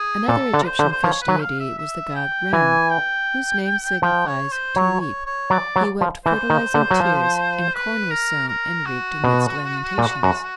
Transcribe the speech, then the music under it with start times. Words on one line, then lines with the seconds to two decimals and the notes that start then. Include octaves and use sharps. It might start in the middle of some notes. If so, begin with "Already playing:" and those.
Another Egyptian fish deity was the god Rem, whose name signifies "to weep"; he wept fertilizing tears, and corn was sown and reaped amidst lamentations.
Already playing: G#4
0.28 A#2 A4
0.54 D3
0.66 C5
0.79 D3
0.92 C5
1.04 F3 C#5
1.22 B4
1.28 F#3
1.40 F5
1.60 E5
1.78 E5
2.15 G5
2.53 E3 G#5
2.90 G5
4.02 F3 G5
4.27 C#5
4.52 C5
4.76 F#3 C#5
5.00 C#5
5.26 C#5
5.50 F#3 D5
5.76 F#3
6.01 F3
6.26 E3 C5
6.50 D#3
6.74 D3
6.91 F#3
7.00 F3
7.74 B4
8.11 A#4
8.48 A#4
8.86 F#4
9.24 B2
9.98 A#2
10.23 F#2